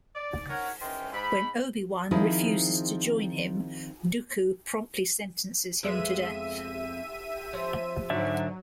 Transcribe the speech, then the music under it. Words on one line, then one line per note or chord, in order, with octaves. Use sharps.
When Obi-Wan refuses to join him, Dooku promptly sentences him to death.
D5
C#4 A#4 C#5 F#5
G#2 D#3 E3 C#4 G5 C6
G#2 B5
D#3 F3 C4 D#4 E4 G#4
F2 G#3 B3 E5 D#7
F3 C4 C#5
G#2 D3 F#3 D5 E5